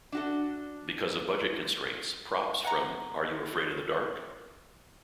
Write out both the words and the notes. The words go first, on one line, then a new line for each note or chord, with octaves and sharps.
Because of budget constraints, props from Are You Afraid of the Dark?
D4 F#4 A4
F#5 A#5